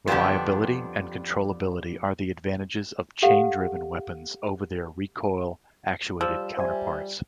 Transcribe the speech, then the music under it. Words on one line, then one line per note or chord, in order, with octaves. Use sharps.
Reliability and controllability are the advantages of chain-driven weapons over their recoil-actuated counterparts.
F2 D3 G3 B3 D4 G4
G4 A4 F5 F#5
F3 G3 E6
G3 C5 E5 G#5